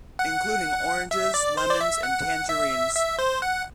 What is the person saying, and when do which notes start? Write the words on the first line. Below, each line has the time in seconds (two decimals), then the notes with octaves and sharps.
Including oranges, lemons, and tangerines.
0.19 F#5
1.11 E5
1.34 D5
1.57 C5
1.70 D5
1.81 E5
2.03 F#5
2.49 E5
2.95 E5
3.19 C5
3.42 F#5